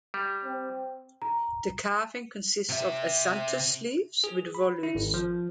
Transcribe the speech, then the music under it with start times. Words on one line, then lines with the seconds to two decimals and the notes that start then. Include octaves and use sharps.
The carving consists of acanthus leaves with volutes.
0.14 G3
0.45 C4
1.22 A#5
2.69 C3 E5
4.24 G#4
4.55 B5
4.83 E4
4.95 G#1
5.14 F3